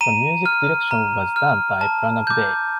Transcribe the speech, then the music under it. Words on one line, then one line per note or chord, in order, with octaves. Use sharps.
The music direction was done by Pranab Dey.
A#5 D#7
F6
A#5
F6
A5
D6 G6